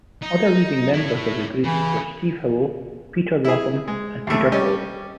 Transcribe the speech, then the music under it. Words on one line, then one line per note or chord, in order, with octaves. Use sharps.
Other leading members of the group were Steve Howell, Peter Latham and Peter Hall.
D#4
E4 C#5
C#3 E3
E4 G#4
G#3
D#2 A3
G3 C#4 G4 D#5